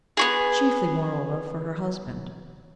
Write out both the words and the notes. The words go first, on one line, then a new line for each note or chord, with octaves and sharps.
Chiefly, moreover, for her husband.
B3 F#4 G#4